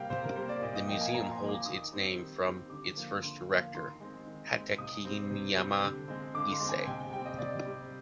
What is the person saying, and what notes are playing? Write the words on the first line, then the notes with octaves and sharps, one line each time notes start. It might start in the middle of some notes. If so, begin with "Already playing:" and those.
The Museum holds its name from its first Director, Hatakeyama Issē.
Already playing: C3 G3 A#3 F5 G5
C3 C5
A#4
G3 A#3 C5
D5
A#2 D#5
D#5
F3 A#3 G5
G#5
A#2 A#5
C6
F3 A#3
D6
D#3 D#6
G3 C4
D#3
G3 C4
D3 D6
F3 A#3
D3 C6
F3 A#3
D#3 C6
G#3 C4
D#3
G#3 C4
C3 D#6
G3 C4
C3
G3 C4
D3
G#3 C4
D3 D6
C6
G#3 C4
G#5
C3 G5
G5
G3 C4 G5
D#5
C3 D5
G3 C4